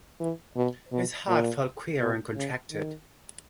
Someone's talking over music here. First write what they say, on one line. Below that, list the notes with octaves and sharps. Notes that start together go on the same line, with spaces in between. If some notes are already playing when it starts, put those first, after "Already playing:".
His heart felt queer and contracted.
E3
B2
B2
A#2
B2
C#3
D#3